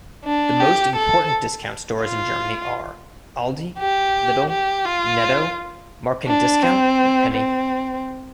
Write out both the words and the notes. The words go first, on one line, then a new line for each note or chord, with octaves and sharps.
The most important discount stores in Germany are Aldi, Lidl, Netto Marken-Discount and Penny.
D4
G4
A4
F4
G4
G4
F4
D4
C4
C4